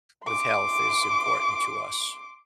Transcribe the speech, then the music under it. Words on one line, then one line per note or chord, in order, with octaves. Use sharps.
with health is important to us.
C6 D6